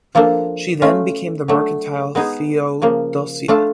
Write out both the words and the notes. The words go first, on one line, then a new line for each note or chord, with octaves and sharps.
She then became the mercantile "Theodosia".
F3 A#3 D4 F4 A4
A3 C#4 F4
F#3 A3 D4
G#3 B3 D#4 G#4
C#3 F3 A#3
A3 D4 F4 A4